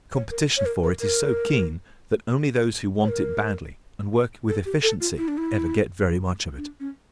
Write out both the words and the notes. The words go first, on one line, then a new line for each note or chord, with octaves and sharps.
Competition for it is so keen that only those who want it badly and work with efficiency ever get very much of it.
C#5
A#4
C#5
A#4
A#4
A#4
C#5
A#4
A4
G4
A4
F4
E4
D4
E4
D4
C#4